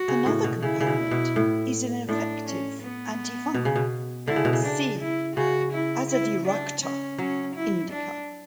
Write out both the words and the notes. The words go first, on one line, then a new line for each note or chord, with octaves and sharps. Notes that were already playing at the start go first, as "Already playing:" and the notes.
Another component is an effective anti-fungal; see "Azadirachta indica".
Already playing: F#4
C#3
A2
B2
C#3 E4
C#3
B2
B2
A2
A2 D4
C#4
B3
B2
C#3
B2
D3 E4
C#3
B2
C#3
D4
E4
C#3 F#4
E4
E4
D4
C#4
F#3 C#4
E4
D4